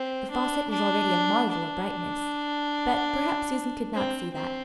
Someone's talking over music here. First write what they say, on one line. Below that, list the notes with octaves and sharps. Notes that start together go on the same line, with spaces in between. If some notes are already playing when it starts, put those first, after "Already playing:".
The faucet was already a marvel of brightness; but perhaps Susan could not see that.
Already playing: C4
D4
D4
D4
C4
C4